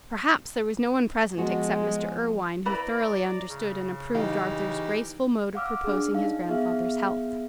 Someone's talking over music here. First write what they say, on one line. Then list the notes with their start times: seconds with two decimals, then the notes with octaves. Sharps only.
Perhaps there was no one present except Mr. Irwine who thoroughly understood and approved Arthur's graceful mode of proposing his grandfather's health.
1.38 F3 G#3 B3 F#4
2.65 E4 B4 D5 A#5 B5
3.48 C#3
4.15 E3 D#4 G4 F5
5.55 F5 F#5 D6 E6 F6
5.84 D4 G#4
6.11 D#4 F5
6.49 B3 G#4 E5 F5